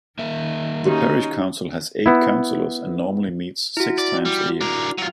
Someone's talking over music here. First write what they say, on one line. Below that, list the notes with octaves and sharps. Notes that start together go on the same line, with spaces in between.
The parish council has eight councillors and normally meets six times a year.
D#3 A#3 A#4 E5
C#4 D#4 F#4 G4
B3 E4
E4 F#4
D5
G3
D4 A#4
F#3 F4